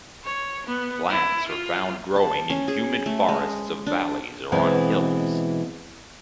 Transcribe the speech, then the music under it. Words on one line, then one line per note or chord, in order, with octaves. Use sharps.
Plants are found growing in humid forests of valleys or on hills.
C#5
B3
E4
F4
A5
C#4
G#4
A3
G#3
D4
B2 E3 G#3 C4 E4